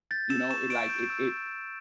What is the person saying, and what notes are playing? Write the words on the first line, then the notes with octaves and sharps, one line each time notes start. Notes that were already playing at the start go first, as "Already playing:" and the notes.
You know, it like it it
G6 A6
E6 E7
C#6 E7
C#6 D7
G6
E6
C#6
C#6